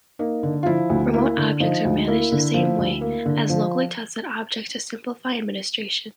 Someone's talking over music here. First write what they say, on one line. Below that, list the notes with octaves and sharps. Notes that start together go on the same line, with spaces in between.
Remote objects are managed the same way as locally tested objects to simplify administration.
A#3 D#4
D3
F4
F3 E4
D2
A#3 E4
D3
F3 D#4
D2
D#4
A#3 E4
D3
F3
D2
A#3
D3
F3